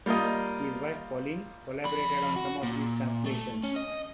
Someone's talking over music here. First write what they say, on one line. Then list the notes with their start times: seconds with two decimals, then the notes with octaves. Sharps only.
His wife, Pauline, collaborated on some of these translations.
0.06 G3 A#3 F4 A#4 D#5
1.85 F2 B5
2.36 F#4
2.63 A#2
3.25 A3
3.63 C#4
3.76 D#5